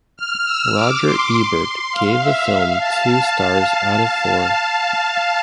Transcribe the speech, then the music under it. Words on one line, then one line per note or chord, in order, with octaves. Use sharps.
Roger Ebert gave the film two stars out of four.
F6
E6
D6
C6
C6
F5
E5
F5
A5